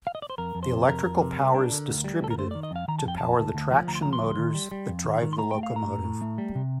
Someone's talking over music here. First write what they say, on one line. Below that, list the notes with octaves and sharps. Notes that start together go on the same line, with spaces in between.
The electrical power is distributed to power the traction motors that drive the locomotive.
F5
D#5
D5
C5
F2 A#4
F2
C5
C3
F2 A#4
F2
C3
G3
D4
D3
D2
G3
D2 A4
A#4
A3 C5
D#3 D5
D#5
F2 F5
D#3 A#5
A5
F2 G5
F2 A5
D2
D2
F3
D2 A#5
C6
F3 A#5
C6
D2
D#3
G3
G3
F2
D#3
D#3
C6
A3 A#5
A3 G5
F5
A2 A#5
A2
A2
A3
G3
C3